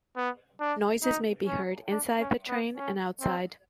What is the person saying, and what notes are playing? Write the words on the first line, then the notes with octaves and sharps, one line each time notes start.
Noises may be heard inside the train and outside.
B3
D4
D#4
C#4
D4
C#4
B3
C#4
C4